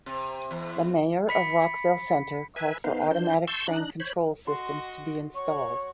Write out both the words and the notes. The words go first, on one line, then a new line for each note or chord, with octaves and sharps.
The mayor of Rockville Centre called for automatic train control systems to be installed.
C3
E2
B5 B6 C#7
B4 E5 G#5
B3 D#4 B4 C5 F5
E3 D4 C5 G6
A5 C6 C#6 E6 G6
D4 D#4 F#6
C5 C#5 B5
F#4 D#5 C6
F#4 C#5 C#6